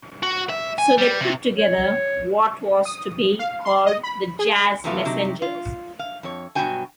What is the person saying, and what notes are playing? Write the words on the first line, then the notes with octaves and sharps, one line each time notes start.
So they put together what was to be called the Jazz Messengers.
F#4
E5
G#5
G3
C3
C#5
D#6
F5
C6
D#5
B5
G#4
F2 C3 E3 A3 B3 F4
C3 F#3 D#4 G4
F4
F5
F2 C#5
G2 B2 F#3 F#4 G5 G#5